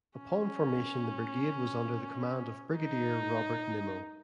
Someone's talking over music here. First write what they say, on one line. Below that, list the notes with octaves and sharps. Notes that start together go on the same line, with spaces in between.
Upon formation the brigade was under the command of Brigadier Robert Nimmo.
C#4
D#4